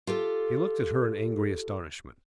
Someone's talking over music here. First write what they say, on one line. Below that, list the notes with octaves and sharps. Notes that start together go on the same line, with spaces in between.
He looked at her in angry astonishment.
F4 G4 A4